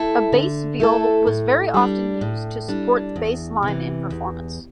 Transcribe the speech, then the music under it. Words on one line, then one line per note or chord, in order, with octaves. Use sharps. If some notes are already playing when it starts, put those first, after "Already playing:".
A bass viol was very often used to support the bass line in performance.
Already playing: A3 E4 A4
D3
A3 E4 A4
A2
G3 D4
A2
G3 D4
E2
C3
E3
E2